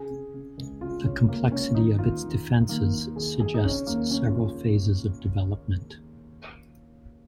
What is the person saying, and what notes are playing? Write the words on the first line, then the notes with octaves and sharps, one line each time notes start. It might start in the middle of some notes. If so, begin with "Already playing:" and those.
The complexity of its defences suggests several phases of development.
Already playing: C#3 G#4
C#3
C#3
C#2
C#3 F4
C#2 C#4
C#2 A#3
C#2 C#4
D#3 D#4
D#2 F4
D#3
D#2
D#3 A#3
D#2
D#3 G#4
D#3 G#4
D#4
C#3 C#4
D#2 A#3
C#3 C#4
F4
C#3